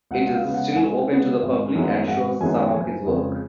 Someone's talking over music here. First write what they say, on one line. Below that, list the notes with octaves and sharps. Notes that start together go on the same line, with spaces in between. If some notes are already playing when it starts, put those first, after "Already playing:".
It is still open to the public and shows some of his work.
C#2 F#5
F#5
F5
C#3 G#3 B3
F#5
F#5
C#2 G#5
C#3 G#3 B3
G#1
F#2 D#3 G#3 B3
G#1 F#5
F#2 D#3 G#3 B3 G#5
F#1 G#5
F2 C#3 G#3